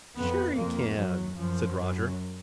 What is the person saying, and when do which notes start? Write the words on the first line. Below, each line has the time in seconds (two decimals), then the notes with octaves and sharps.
"Sure you can," said Roger.
0.17 F2 B3
0.57 F2 A#3
0.97 F#2 F#3
1.38 F#2 F3
1.78 F#2 F#3